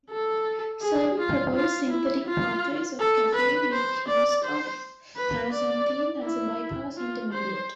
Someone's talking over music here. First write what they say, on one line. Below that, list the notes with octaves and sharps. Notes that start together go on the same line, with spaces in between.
Certain proposed synthetic pathways of caffeine make use of paraxanthine as a bypass intermediate.
A4
G#4
F4
F4
E4
F4
A4
B4
C5
D5
C5
B4
D5
E4
F4
C5